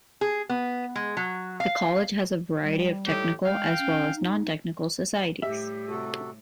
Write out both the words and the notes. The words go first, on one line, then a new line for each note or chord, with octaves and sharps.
The college has a variety of Technical as well as nontechnical societies.
G#4
B3
G#3
F#3
F5
G3
A2 D#4 G4
G#3 F5 G5
C#4
D#4
A2 G3 G4 E5
C3 F#4 A4